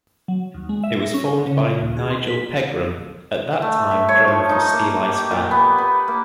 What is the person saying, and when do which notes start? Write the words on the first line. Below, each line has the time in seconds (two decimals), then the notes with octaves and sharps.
It was formed by Nigel Pegrum at that time drummer for Steeleye Span.
0.28 F#3
0.54 D#2
0.69 G#3
0.84 E5
1.02 A#6
1.14 C#4
1.46 C#3
1.64 F4
1.81 D#2
1.97 G#4
2.10 C6
2.27 B6
3.62 A3
3.91 E5
4.09 C#5
4.28 F3
4.49 D#4
4.73 A#3
5.05 G4
5.31 A#2
5.51 B3
5.78 B3
6.08 A#3